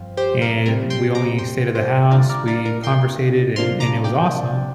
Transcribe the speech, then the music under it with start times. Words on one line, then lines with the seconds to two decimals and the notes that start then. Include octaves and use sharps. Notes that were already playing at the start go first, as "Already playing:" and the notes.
and we only stayed at the house. We conversated and and it was awesome,
Already playing: G2 F3 C4 F4
0.17 G4 C5
0.42 A#4
0.66 C3 G3 C4 A#4
0.90 G5 C6
1.15 A#5 D6
1.38 G5 C6
1.75 G4 C5
2.11 D3 G3 D4 F4 A#4 D5
2.29 A#4 D5
2.48 A#4 D5
2.65 A#4
2.84 G5 C6
3.56 C3 F3 A#3 D4 F4 C6 F6
3.80 A#5 D6
4.04 D5 G5